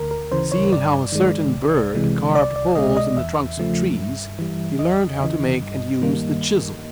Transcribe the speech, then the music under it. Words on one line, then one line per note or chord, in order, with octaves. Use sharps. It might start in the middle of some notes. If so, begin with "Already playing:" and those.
Seeing how a certain bird carved holes in the trunks of trees, he learned how to make and use the chisel.
Already playing: D2 A#4
A#4
C#3 E3 C5
C#5
G2 D5
D#3 G#3
C2
C3 E3 G#3
C2 D5
D5
B2 G#3 D#5
D#5
E2 E5
C#3 F3 A3
G2
E3 G3
E2 D#5
C#3 E3
G2
D#3 G3 A#3